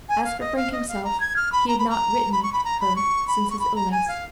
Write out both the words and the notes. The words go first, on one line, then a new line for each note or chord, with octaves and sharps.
As for Frank himself--he had not written her since his illness.
G#5
F5
D#5
F5
D#5
F5
A#5
G#6
F6
B5
A#5
B5
A#5
B5
C#6
B5
A#5
B5
C#6
B5
C#6
B5
A#5
G#5
F5